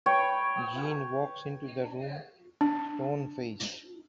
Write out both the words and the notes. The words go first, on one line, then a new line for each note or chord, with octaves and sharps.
Jean walks into the room, stone-faced.
B4 C#5 G5
D4